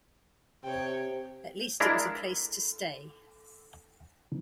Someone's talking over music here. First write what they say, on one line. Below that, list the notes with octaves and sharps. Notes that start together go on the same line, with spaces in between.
At least it was a place to stay.
C3 C#5 G5
G#3 D4 E4 A#4 F5